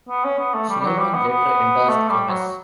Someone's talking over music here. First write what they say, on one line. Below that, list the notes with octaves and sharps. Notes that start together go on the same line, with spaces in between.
Sullivan later endorsed Gomez.
B3
C#4
B3
A3
G3
G3
F#3
G3
B3
B3
A3
G3
F#3